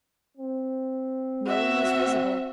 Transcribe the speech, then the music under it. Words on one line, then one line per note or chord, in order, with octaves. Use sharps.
No one was visible.
C4
F#4 E5